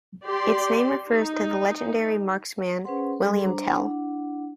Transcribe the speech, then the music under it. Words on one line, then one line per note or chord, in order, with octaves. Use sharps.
Its name refers to legendary marksman William Tell.
G4 D5 C6
D#4
C#4 G#4 B4 C5 F#5 C6
G3 G#4 A4 C6
D4 C5 A#5
D4 E4 F#5